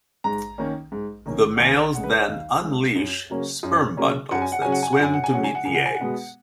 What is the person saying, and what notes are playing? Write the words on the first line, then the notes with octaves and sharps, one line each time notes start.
The males then unleash sperm bundles that swim to meet the eggs.
G#2 A#5
D#3 A#3 C#4
G#2
D#3 A#3 C#4
F#5
D#2 G#5
C#3 G#3 F#5
B4
C#5
D#5
D#2 F5
C#3 G#3
F#2
C#3 F#3 A#3 C#4
F#2
C#3 F#3 A#3 C#4
F#2 F#5
G#5
F#5
C#3 F#3 C#4 G#5
F#5
G#5
F#5
F#2 G#5
F#5
G#5
C#3 F#3 C#4 F#5
G#5
F#5
C#2 G#5
F#5
G#5
F#5
B2 G#3 B3